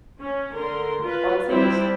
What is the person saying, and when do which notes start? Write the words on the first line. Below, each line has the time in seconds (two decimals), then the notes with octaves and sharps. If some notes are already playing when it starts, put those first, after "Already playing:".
honestly, just
0.18 C#4
0.53 D3 A#4 C6
1.01 F4 B4
1.48 G3 C4 D4 E4 G4